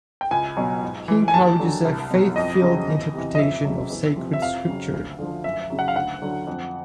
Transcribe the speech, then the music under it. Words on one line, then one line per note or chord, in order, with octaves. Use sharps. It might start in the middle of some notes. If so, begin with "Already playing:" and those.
He encourages a "faith-filled interpretation of Sacred Scripture".
G5
C#2 G#5
B2 F#3
G#2
E3
G#5
D#2 A5
D3 F#3
C2
B2 F#3
F2 D#5
C#3 F#3
E2
C3 E3
D#5
F2 E5
C#3 F#3
E2
C3 F3
E5
F2 F5
C#3 F#3
D2
D3 F3
F#2 E5
C#3 F#3
F#5
F5
D2 F#5
D3 F#3
F2